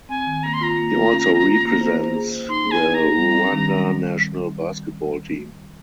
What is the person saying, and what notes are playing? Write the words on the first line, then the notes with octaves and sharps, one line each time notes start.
He also represents the Rwanda national basketball team.
C4 G#5
D#3
A#3 A#5
C6
F4 A#5
A#3
F4
C#4
F4
C#4
A#3
C5
C5
G#4
C5
D#4 C6
G#4
G#5
D#4
A#5
G#4
G3
C4
D#3
G3